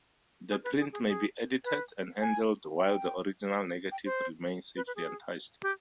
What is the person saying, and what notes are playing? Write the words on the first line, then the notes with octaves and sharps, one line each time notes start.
The print may be edited and handled while the original negative remains safely untouched.
G#4
B4
G#4
G#4
G#4
B4
G#5
G5
G5
C5
B4
B4
G#4
G4